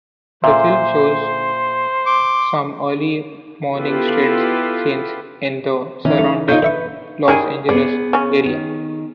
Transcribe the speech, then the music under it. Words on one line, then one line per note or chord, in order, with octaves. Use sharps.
The film shows some early morning street scenes in the surrounding Los Angeles area.
A#2 C5 E5
C6 D6
B3 E4 F4 G4 A4 B4
E3 C#4 D#4
A3
D#4 F4 C#5 G6
D3 B4 E5 C#6
D#3 E4 G4 G#4 D5
B3 G#4 C5 D5
C#3 C#4
D#3